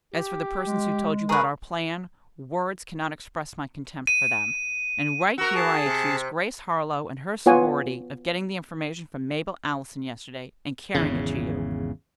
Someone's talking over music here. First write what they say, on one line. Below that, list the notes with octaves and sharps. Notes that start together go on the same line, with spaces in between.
As for the persons who told you about our plan, words cannot express my contempt for them, and right here I accuse Grace Harlowe and her sorority of getting the information from Mabel Allison yesterday and carrying it to you.
G4
G#3
G#4 A#4 B4 A#5 C#6
D#7
F#4 A#4 E6
G#4 A5
C3
B3 F4 C#5 F#5 G#5
G#1 E2 C#3